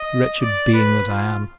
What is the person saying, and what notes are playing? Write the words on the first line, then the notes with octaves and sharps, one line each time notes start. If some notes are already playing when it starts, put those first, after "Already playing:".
Wretched being that I am!
Already playing: D#5
D5
B4
F4